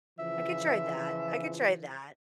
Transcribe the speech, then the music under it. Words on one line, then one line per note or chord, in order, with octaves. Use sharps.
I could try that, I could try that.
C#3 E3 F3 E5